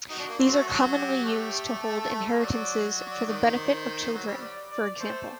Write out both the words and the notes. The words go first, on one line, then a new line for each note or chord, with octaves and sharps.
These are commonly used to hold inheritances for the benefit of children, for example.
D#4 F#4
D4
A#3
C4 F#4
A3
F#3
G4
A3 G4
A4
A3
G3
F#3 D5
D5
D#3
C5
F#3
G3
D5
D5
A3 C5